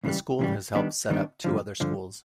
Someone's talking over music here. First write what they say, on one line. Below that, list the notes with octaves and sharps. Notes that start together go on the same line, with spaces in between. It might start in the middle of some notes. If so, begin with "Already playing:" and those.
The school has helped set up two other schools.
C#2 C#3 E3 G3
C#2 C#3 E3 G3
D#3 G3 B3 D4
D#3 G3 B3 D4
G2 D3 F3
G2 D3 F3